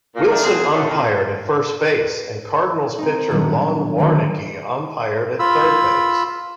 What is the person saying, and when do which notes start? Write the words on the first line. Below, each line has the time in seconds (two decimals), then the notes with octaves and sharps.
Wilson umpired at first base, and Cardinals' pitcher Lon Warneke umpired at third base.
0.15 A#2
0.29 D#3 A3 A#3 D4
0.43 B2 C4 G#4
0.72 E2 F#3 A3 B3 A4
0.88 F2 D#3
1.93 B4
2.54 C#6
2.98 C4 D#4
3.31 A#2 D#3 F#3 G3 B3 D4
3.98 D3 D#3 A3 C4 D#4 F#4
5.39 F4 B5 E6